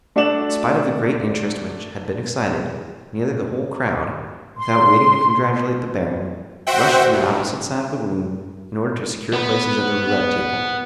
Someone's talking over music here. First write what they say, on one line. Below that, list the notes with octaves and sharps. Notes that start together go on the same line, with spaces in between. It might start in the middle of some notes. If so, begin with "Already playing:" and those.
In spite of the great interest which had been excited, nearly the whole crowd, without waiting to congratulate the baron, rushed to the opposite side of the room in order to secure places at the roulette table.
A3 D4 F#4 D5 E7 F#7
C6
F#4 C5 E5 F#5 G5
G2
B3 B4